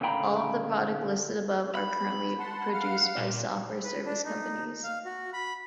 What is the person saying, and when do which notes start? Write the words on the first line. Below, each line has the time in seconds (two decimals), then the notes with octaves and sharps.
All of the products listed above are currently produced by software service companies.
0.01 D2 A#2 C#3 G5 A#5 B5
1.75 B5
2.39 F#5 A5 C6
2.73 F5 F#5 F6
3.18 A#2
3.84 B4
4.05 D4
4.24 D#4
4.84 F5
5.05 F#4
5.33 B5